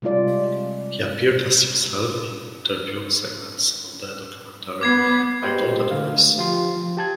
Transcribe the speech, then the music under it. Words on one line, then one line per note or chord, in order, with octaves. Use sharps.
He appeared as himself in interview segments of the documentary, "I Know That Voice".
C3 G3 G#3 F4 D5
B3 D6 G#6 C7
G#3 G4 B4 C5 D#5
D3 A3 F5
F3 F4 G4 C6
F3
G4 A5 G#6